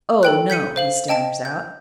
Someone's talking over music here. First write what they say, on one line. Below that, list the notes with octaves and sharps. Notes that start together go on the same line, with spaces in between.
"Oh, no," he stammers out.
A4 G5 F#6
G6 B6 C#7 D#7
C5 F5 F#7
D#5 G5 A5 D7
G6